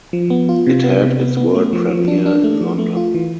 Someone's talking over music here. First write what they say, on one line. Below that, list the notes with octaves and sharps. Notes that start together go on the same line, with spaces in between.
It had its world premiere in London.
F3
B3
F4
C3
B3
C3
B3
B3
A3
F3
F3
D4
D4
A3
F3
A3
F4
E3